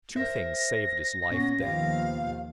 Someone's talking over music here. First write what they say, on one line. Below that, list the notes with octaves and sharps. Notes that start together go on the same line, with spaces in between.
Two things saved his life then.
A#4 C5 E5 A#6
A#2 B3 C#4
D#2 B2 F3 G4 F5